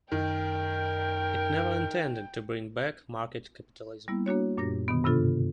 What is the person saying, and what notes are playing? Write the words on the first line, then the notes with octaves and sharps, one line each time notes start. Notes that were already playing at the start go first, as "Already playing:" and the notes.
It never intended to bring back market capitalism.
F#2 D#3 A#4 G5
G3 A#3 B3 E4
A#3 D4 F#4 C#5
F#2 A#2 D4 F4 G4 A#6
B2 D3 D#3 B3
G2 C3 D4 F4 A4